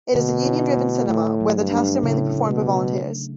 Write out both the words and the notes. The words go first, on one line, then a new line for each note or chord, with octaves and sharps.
It is a union-driven cinema, where the tasks are mainly performed by volunteers.
B2 D3
E4
A3
A2 A3
F#3
G2
D4
A2 C#3
A3
B2
F#3